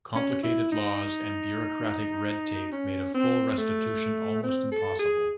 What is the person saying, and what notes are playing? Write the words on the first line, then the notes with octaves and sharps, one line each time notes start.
Complicated laws and bureaucratic red tape made a full restitution almost impossible.
C#4
E4
D#4
C#4
C4
A3
C4
A4
G#4